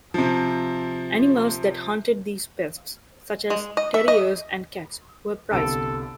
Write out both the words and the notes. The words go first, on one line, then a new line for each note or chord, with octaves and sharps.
Animals that hunted these pests, such as terriers and cats, were prized.
C3 F3
G#3
D#5
E5
D#5
G1 C2 A4 D7